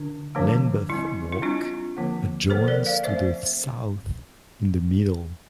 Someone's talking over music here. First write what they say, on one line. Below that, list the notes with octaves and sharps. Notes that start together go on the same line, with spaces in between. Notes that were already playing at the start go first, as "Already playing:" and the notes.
Lambeth Walk adjoins to the south in the middle.
Already playing: D3 D4
D3 F3 A3 D4
G3 C4 E4
E4
G3 C4 D4 F4
D3 F3 A#3
D3 F3 A#3 A4 C5
A#4 D5
D5 F5
F3 A3 C4 C5 E5